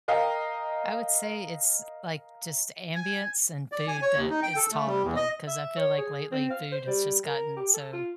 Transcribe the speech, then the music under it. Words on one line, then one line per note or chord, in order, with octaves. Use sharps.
I would say it's, like, just ambience and food that is tolerable, 'cause I feel like lately food has just gotten so
A#4 D#5 F5 G5
G#5
D5
G#5
C#5
D#2
D#4
G5
A4
A3
G3
E2
D#5
E5
C#5
G#4
C4
F5
C5
G3
A#4
G4
A4
F4